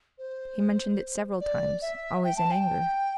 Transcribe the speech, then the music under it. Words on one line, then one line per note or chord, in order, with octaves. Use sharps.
"He mentioned it several times, always in anger."
C5
D5
E5
G5
A5
G5